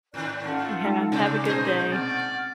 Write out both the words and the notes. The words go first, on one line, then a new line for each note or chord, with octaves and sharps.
Yeah. Have a good day.
G#2 D#3 C#4 D5 F#6
C#4 F4 A4 F#5
G#3 D#4
G#2 C3 C#4 D4 G#4 D5 D6
A#2 C#4 D#4 G#4 C5 G#5 G6
C4 D5 F#5 F6